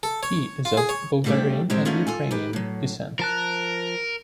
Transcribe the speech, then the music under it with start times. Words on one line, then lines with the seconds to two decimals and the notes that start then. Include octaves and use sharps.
He is of Bulgarian and Ukrainian descent.
0.03 A4
0.23 C#5
0.65 F4
0.77 G#4
0.89 C#5
1.24 B2 F3 G3 A3 D4 G4
1.70 A2 C3 G#3 C4 D4 E4
1.85 A3 B3 C#4 D#4 F4 G#4
2.07 F4 A4 G#5
2.31 D#3 G4 B4
2.53 A2 F#3
3.19 F3 A#4 A5 F#6